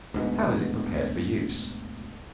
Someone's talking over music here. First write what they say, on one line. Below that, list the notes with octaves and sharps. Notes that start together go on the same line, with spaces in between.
How is it prepared for use?
D2 G#2 B2